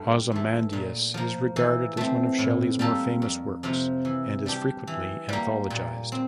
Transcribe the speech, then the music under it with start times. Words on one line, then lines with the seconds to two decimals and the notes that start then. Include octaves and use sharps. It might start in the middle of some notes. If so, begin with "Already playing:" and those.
"Ozymandias" is regarded as one of Shelley's more famous works and is frequently anthologised.
Already playing: G2 A3
0.32 E3 A3
0.73 A#2
1.14 F3 A#3
1.56 E3
1.97 A3 C4
2.38 A2
2.79 G3 A#3 F4 A4
3.22 F2
3.63 C3 F3 A#3 F4
4.05 E3
4.46 G3 D4 G4
4.87 E3
5.29 G3 A#3
5.70 A#2
6.12 C4